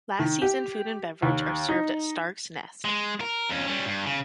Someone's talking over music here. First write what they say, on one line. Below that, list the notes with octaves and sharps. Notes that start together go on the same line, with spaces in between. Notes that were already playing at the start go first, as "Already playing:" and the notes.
Last season food and beverage are served at Stark's Nest.
D#3
G4
D#2
D#4
G#3
A#4
F2 C#4
G3 C#4
G2
C#3